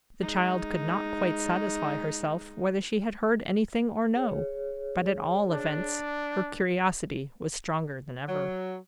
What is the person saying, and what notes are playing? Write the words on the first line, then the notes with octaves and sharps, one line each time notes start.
The child could not quite satisfy herself whether she had heard anything or no. But, at all events, her curiosity was stronger than ever.
G#3 D#4
G#4 C#5
D4
F#3